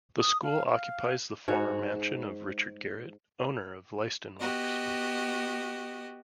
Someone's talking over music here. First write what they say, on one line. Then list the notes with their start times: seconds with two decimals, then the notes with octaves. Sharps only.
The school occupies the former mansion of Richard Garrett, owner of Leiston Works.
0.20 D#6
0.43 F5
0.71 F5
1.48 G#2 F#4 C#5
4.40 B3 F#4 G4 D#5